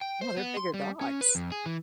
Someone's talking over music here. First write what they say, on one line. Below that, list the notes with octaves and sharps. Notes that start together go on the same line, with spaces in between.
Wow, they're bigger dogs.
G5
C5
B3
C6
G3
C#4
B4
F2
G#4
E3